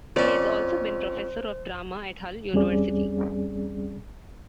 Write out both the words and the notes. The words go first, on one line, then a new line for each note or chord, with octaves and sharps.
He has also been professor of drama at Hull University.
F2 C#4 C5 D5
E2 G3 C4 C#4 G#4 D5